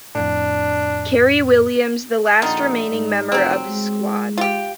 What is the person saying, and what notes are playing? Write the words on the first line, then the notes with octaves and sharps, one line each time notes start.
Kerry Williams, the last remaining member of his squad.
F2 A2 D4
A#1 D3 D#3 D#4
G#2
F1 F#3 C4
G#3
F4 G4